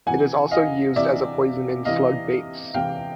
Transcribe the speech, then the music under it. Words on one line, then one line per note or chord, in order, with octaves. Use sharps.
It is also used as a poison in slug baits.
C3 E3 F#5 G#5
D#5 F5
C3 E3 D5 E5
C3 E3 D#5 F5
C3 E3 F5 G5